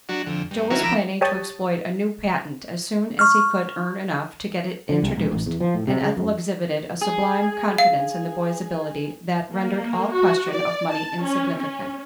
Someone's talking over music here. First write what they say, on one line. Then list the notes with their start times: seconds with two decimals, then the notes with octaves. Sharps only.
Joe was planning to exploit a new patent as soon as he could earn enough to get it introduced, and Ethel exhibited a sublime confidence in the boy's ability that rendered all question of money insignificant.
0.09 F#3 D4 F#4
0.26 F2 D3
0.51 G2
0.70 D#3 F#3 C#4 E4 F#4 A#4
0.83 F3 A#4 A#5 B5 D6 E6
1.21 G4 C#5 A5 D#6
3.19 C#6 F6
4.89 D3
5.02 C2
5.16 E1
5.32 A1
5.46 E2
5.60 F3
5.74 A2
5.87 C3
6.01 C#3
6.17 F#2
7.02 G#4
7.78 F5
9.52 A#3
10.13 F#4
10.52 D5
10.91 A5
11.21 C#4
11.57 C#4